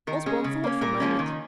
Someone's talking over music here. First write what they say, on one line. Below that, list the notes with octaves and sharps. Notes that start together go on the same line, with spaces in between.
Osborne thought for a moment.
D#3 A#4
G#3 C#4 G#4
C#3
A#3 C#4
A#2 A#4
F3 A#3 C#4
D#3